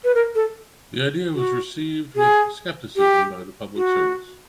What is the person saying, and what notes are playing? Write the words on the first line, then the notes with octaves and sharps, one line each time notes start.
The idea was received with skepticism by the public service.
B4
A#4
A4
F#4
G#4
G4
F#4